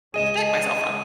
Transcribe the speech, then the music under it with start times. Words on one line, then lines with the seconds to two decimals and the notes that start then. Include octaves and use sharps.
protect myself from.
0.14 C#2 C#3 G#3 G#4 D#5 D#7 E7